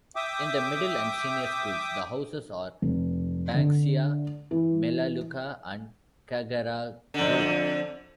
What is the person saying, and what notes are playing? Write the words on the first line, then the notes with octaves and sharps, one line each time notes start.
In the Middle and Senior schools, the houses are Banksia, Melaleuca and Karragaroo.
E5 G5 D6 D#6
F1
D3
E3
F2 D3